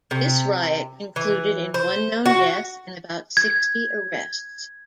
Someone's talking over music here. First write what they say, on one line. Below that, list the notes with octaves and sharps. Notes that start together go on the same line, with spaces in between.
This riot concluded in one known death and about sixty arrests.
C3
E3
C5
F#4
G#6